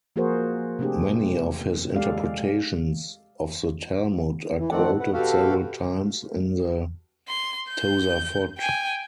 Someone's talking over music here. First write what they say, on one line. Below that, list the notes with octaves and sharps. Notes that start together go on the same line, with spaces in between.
Many of his interpretations of the Talmud are quoted several times in the Tosafot.
F3 A#3 F#4 G#4 A#4 C5
C3 A3 C4 D4 G4 G#4
G#3 G4 A4 D5 F5
E3
F2 D#3 A3 C4 D5 F#5
B4 F#5
B2 F#4 G4 A4 F5
C6
G6
G5 G#5